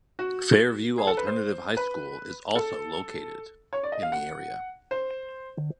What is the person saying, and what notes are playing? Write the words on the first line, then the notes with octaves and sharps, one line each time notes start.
Fairview Alternative High School is also located in the area.
F#4
G#4
A4
B4
C5
B4
A4
C#5
D5
D#5
F5
F#5
C5